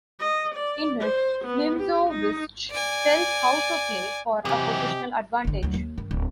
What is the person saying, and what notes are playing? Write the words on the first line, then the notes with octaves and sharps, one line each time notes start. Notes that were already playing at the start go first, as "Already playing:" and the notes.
In it, Nimzowitsch tells how to play for a positional advantage.
D#5
D5
C5
B3
G4
D#4
D5 G#5
C3 E3 F#3 G4 D#5 G#5
G1 D3
D2 F#3
D#2
G2 D#3
D1